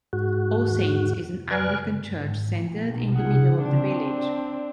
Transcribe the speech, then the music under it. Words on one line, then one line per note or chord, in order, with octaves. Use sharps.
All Saints' is an Anglican church centred in the middle of the village.
G#2 F#4
B4 D5 G#5 F6 F#6
D#4 F4 G#4 F#5
C4 D4 D5 A5